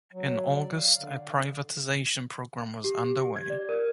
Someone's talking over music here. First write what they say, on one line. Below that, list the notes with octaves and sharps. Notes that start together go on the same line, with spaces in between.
In August, a privatization program was underway.
F#3
D5
F5
D3
G4
G4
G#6
D5
A#4